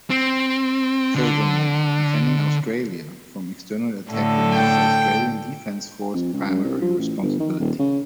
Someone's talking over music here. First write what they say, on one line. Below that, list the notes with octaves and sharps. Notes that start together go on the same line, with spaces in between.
Furthermore, defending Australia from external attack remained the Australian Defence Force primary responsibility.
C4
D3
A2 D3 A4
G5
F2
C#2
F#2
C2
F3
A1
G1
D#3
D#1
C#3